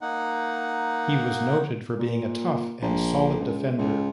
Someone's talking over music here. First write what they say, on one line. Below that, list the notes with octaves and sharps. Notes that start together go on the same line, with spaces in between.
He was noted for being a tough and solid defender.
A#3 D#4 F#5
A#2
A#1
C#2
C#2